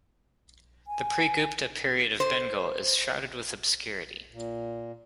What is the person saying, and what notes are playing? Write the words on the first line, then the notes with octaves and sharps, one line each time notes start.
The pre-Gupta period of Bengal is shrouded with obscurity.
G#5
C5
A#2